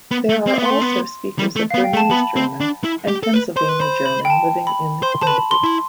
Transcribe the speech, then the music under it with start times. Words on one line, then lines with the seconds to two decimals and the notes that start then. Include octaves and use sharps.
There are also speakers of Bernese German and Pennsylvania German living in the community.
0.11 B3
0.29 A3
0.47 C4
0.58 B3
0.65 A3 C6
0.81 B3
1.39 G3
1.56 A3
1.70 B3 F5
1.84 G5
1.93 A3
1.97 A5
2.11 B3 B5
2.36 C4
2.60 D4
2.84 E4
3.08 G4
3.23 A4
3.33 B4
3.56 C5 C6
3.69 B4
3.80 C5 B5
4.06 B5
4.25 G5
4.30 A5
4.67 B5
5.03 C5 C6
5.21 C5 A5
5.27 B4 B5
5.51 C6
5.64 E4